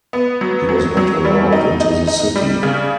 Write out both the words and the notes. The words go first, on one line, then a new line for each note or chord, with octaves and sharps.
He was not allowed into the city.
B3
F#3
F#3
F#3
G3
D#4
D#4
D#4
G3
C#3